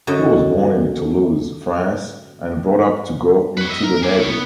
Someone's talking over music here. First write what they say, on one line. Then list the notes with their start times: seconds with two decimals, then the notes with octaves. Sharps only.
He was born in Toulouse, France and brought up to go into the navy.
0.07 F#2 D3 F#3 D#5
3.57 B4 C#5
3.70 D#5 E5
3.84 A#4
4.03 G#4 D5
4.16 E4 C#5
4.29 B3